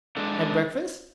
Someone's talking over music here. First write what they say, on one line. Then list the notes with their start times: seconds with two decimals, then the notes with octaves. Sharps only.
"Had breakfast?"
0.17 G#3 D4 A4